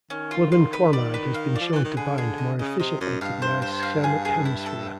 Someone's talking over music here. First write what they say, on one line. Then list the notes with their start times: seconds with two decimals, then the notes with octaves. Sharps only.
Glibenclamide has been shown to bind more efficiently to the ischemic hemisphere.
0.10 D#3 C#4
0.31 F4
0.52 F4
0.73 B4
0.93 D5
1.14 B4
1.34 F5
1.56 F3 D5
1.72 E3 B4
1.84 D#3
1.97 D3 G#4
2.18 G#4
2.38 D#5
2.59 C#3 D#5
2.80 C3 D#5
3.01 F#2 D#5
3.21 G2 F5
3.42 C5
3.62 C5
3.83 F5
4.04 G#4
4.25 G#4
4.45 E4
4.66 A4